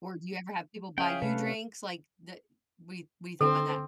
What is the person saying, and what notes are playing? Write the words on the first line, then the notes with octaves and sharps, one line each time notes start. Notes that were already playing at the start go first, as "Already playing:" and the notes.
Or, do you ever have people buy you drinks? Like, the what what do you think about that?
C#4 G#4 E5 F5 G5
C3 A3 B4
D3 C4 A4